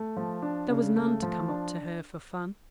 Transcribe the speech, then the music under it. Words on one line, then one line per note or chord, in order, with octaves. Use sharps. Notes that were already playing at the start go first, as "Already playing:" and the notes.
There was none to come up to her for fun.
Already playing: A3
F3
D4
C#3
A3
F3
D4